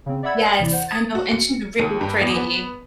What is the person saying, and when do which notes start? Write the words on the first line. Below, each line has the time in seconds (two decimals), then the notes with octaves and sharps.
Yes, I know, and she's really pretty.
0.06 C#3 C4
0.23 D5 E5 F#5 B5 E6 G#6
0.45 D#6
0.59 D#2 C3 E3 E4 D5
0.72 C5 F#5
0.88 D#6 G#6 A6
1.15 F#4
1.31 C#7
1.79 D#2
2.01 G2
2.21 E2
2.36 B3